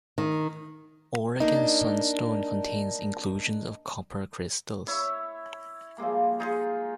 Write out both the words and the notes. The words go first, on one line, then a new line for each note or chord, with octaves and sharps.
Oregon sunstone contains inclusions of copper crystals.
D#3
A#3 D4 D#4
E4 C#5 E5
F3 G3 G#3 A#3
D#4 F4 G#4